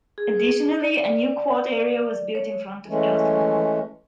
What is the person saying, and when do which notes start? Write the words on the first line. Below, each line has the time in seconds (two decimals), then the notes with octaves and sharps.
Additionally, a new quad area was built in front of Elston Hall.
0.18 G#4
0.82 D5
2.35 C#5
2.89 E3 G#3 A3 C#4